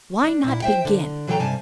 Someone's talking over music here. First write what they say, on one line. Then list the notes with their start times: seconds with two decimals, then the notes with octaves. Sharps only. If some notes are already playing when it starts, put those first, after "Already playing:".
Why not begin?
0.24 D4
0.44 A#2 E4
0.62 C5 E5 G5
0.85 D3
1.27 E3 F#3 G#4 A4 G5 A#5
1.39 G2 C3 G#5 A5